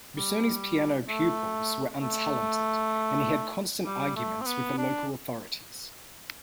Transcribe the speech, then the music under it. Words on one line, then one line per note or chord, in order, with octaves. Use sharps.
Busoni's piano pupils were untalented, and he had constant arguments with the local authorities.
G3
A3
A3
G3
A3
C4
B3
D4